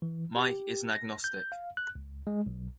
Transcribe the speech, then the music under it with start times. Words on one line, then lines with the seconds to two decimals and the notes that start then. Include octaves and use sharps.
Mike is an agnostic.
0.02 E3
0.36 G4
0.95 A#6
1.24 G6
1.52 F5
1.77 F#6
1.95 C#2
2.27 G#3
2.46 B1